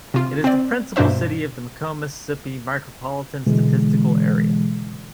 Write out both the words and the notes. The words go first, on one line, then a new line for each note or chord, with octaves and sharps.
It is the principal city of the McComb, Mississippi Micropolitan Statistical Area.
C3 F4
C4 D5
G2 B2 A#3 D4 C5 E5
B2 D3 E3 G#3